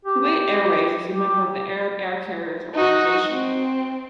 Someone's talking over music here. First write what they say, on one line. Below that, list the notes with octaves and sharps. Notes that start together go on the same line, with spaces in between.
Kuwait Airways is a member of the Arab Air Carriers Organization.
G4
G4
D#4 F#4
C4